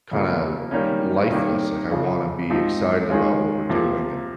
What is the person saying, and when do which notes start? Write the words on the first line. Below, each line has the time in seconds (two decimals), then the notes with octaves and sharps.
kinda l lifeless, like, I wanna be excited about what we're doing, and
0.11 F2 C#3 F3 A#3
0.71 D#3 G3 A#3 C#4
1.30 C3 D#3 G3 A#3 C#4
1.90 F2 C#3 F3
2.50 G#2 F3 C4 D#4
3.10 D#3 G#3 C#4 F4
3.69 C3 F3 A#3